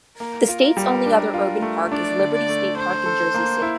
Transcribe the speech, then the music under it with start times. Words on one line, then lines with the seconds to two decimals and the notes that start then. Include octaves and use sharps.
The state's only other urban park is Liberty State Park in Jersey City.
0.20 A#3 A#4
0.48 F4
0.77 G3
1.06 D4
1.34 F4
1.62 A3
1.91 D4 D5
2.19 D3
2.34 D5
2.49 A3
2.77 D4 C5
3.05 A4
3.35 A#3
3.62 E4